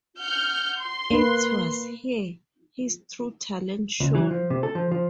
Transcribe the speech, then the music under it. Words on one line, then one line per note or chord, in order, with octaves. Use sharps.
It was here his true talent shone.
F#5 F6 G6
C6
A#3 B4
C#2
E3
F3
C3
A4
F3
F3